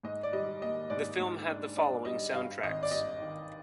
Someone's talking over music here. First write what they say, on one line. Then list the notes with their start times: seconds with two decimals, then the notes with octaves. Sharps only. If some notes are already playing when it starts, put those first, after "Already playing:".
The film had the following sound-tracks.
0.03 G#2 D#5
0.23 D5
0.33 G3 D#5
0.61 A#3 D#5
0.90 G#2 D5
1.20 G#2
1.48 D4
1.77 D4 D5
2.05 G3 D#5
2.34 G2 F5
2.63 G#1 D#5
2.83 D5
2.91 G2 D#5
3.21 D#3